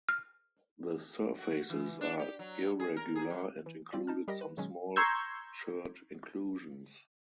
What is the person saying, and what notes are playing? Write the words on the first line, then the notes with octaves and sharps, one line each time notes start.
The surfaces are irregular and included some small chert inclusions.
F6
F#4
E3
D4
G4
F#3
G#4
A#4
G#4
F#2
E3
G3 C4 F4 D5
D#4 A5 F6
G3 G4 A#4 D#5 A#6
B4
B2 D#3 F#3 G#3 C#4
A#5 C6 C#6 E6 G6 G#6